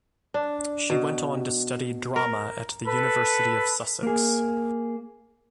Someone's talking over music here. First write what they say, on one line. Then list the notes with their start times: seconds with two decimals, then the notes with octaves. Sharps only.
She went on to study drama at the University of Sussex.
0.34 D4
0.90 B2
2.16 A#4
2.86 A4 B4
4.03 A#3 G#4